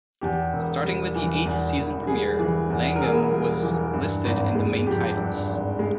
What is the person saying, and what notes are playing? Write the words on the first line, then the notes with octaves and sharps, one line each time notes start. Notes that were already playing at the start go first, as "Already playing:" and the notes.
Starting with the eighth season premiere, Langham was listed in the main titles.
E2 G4
E1
G3
E3
E2
E1
G3 G#4
E3
E2
A#4
E1 G#4
G3
E3
G2
G#1
G#3
F3 G4
G2
G#1
G#3